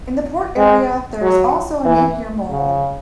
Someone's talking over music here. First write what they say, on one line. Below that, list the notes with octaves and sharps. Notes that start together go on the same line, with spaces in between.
In the port area, there is also a Napier Mole.
G#3
F#3
E3
C#3